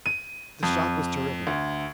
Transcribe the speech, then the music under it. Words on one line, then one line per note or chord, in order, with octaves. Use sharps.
The shock was terrific.
D#7
F2
D2